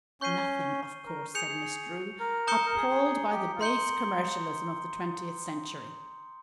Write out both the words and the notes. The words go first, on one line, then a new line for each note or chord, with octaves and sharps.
"Nothing, of course," said Miss Drew, appalled by the base commercialism of the twentieth century.
C#4 C#6 G6 C7 D#7 G7
A#4
G#4 G6 C#7 F7
G#4
A#4
A#5 D#6 G6 C#7 G7
A#4
G#4
G#4
G#4
G4
F4
D#4 C6 G6 C#7 G7